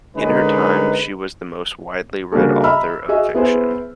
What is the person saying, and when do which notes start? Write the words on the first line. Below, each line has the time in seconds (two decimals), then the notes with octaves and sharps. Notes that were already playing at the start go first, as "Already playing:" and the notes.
In her time, she was the most widely read author of fiction.
0.16 D3 G#3 C#4 D#4 A#4 B4
2.32 C#3 G3 A#3 D4 F#4 A4
2.63 D#5 E5 A#5 B5 E6 F6
3.09 F#4 G#4 D#5 E5
3.34 B3 E4 G#4 B4 C5